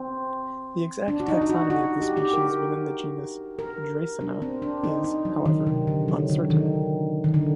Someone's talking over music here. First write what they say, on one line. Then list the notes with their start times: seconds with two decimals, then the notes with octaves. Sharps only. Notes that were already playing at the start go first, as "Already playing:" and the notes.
The exact taxonomy of the species within the genus "Dreissena" is, however, uncertain.
Already playing: C4
1.08 D4
1.20 F#4
1.28 D#4
1.42 D#4
1.50 F#4
1.70 F#4
2.02 G4
2.17 G4
2.33 A#4
3.59 A#4
4.21 D4
4.42 C4
4.62 D4
4.84 D#4
5.04 D#4
5.25 F#3
5.46 D#3
5.67 C3
5.87 D3
6.08 F#3
6.30 D3
6.50 D#3
7.24 D#3
7.34 D3